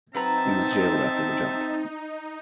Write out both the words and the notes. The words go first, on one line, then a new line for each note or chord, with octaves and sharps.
He was jailed after the jump.
F#3 C4 D#4 B4 E5 A5 A#5